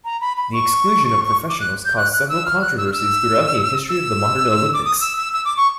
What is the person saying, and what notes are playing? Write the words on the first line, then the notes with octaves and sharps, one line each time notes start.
The exclusion of professionals caused several controversies throughout the history of the modern Olympics.
A#5
B5
B5
C#6
D6
F#6
G6
F#6
F#6
E6
F6
F#6
E6
F6
E6
E6
D6
D#6
E6
E6
E6
D6
C#6